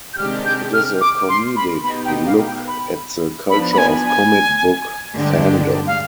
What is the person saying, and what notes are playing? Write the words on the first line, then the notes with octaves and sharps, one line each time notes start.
It is a comedic look at the culture of comic book fandom.
G6
C3 D#3 G#3 D4 G4 F6
G6
F6
D6
C6
B5
B2 B3 D#4 G4 B5
G5
F5
G5
B5
F3 B3 D4 B5
B5
G#5
G#5
G2 D3 G#3 D4 G4
F5